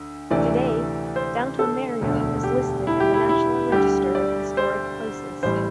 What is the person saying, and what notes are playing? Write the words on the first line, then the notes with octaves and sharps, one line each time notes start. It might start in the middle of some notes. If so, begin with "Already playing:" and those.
Today, downtown Marion is listed in the National Register of Historic Places.
Already playing: D2
D2 C3 E3 A3 D5
C5
A4
E1 D2 D3 A3
G4
E4
G4
E4
E4
D2 D3 G3 G4
D5
C5
A1 A2 G3 C5